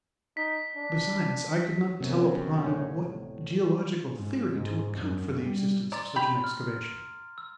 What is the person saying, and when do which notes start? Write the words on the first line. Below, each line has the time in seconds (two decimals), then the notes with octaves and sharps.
Besides I could not tell upon what geological theory to account for the existence of such an excavation.
0.37 D#4 B6
0.76 D4
2.00 F#2 C3 B3 C4
2.64 D2 A2
4.16 G#2
4.52 G#2
4.98 F#2
5.42 G3
5.92 D5 A#5 C6 A6
6.16 G4 B5
6.44 F6
7.38 E6